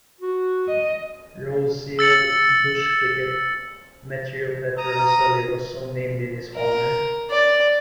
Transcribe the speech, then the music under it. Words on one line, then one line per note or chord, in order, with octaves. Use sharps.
Roesel's bush-cricket "Metrioptera roeseli" was so named in his honour.
F#4
D#5
E6 A6 C#7 F#7
A#5 D#6
A#4
D5